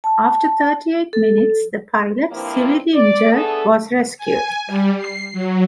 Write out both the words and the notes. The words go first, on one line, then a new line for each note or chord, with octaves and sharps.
After thirty eight minutes, the pilot, severely injured, was rescued.
A5
A4
G2 F3 A#3 C4 E4
D5
A3 B3 D4 G#4 A4
G#5
G3
C7
F#3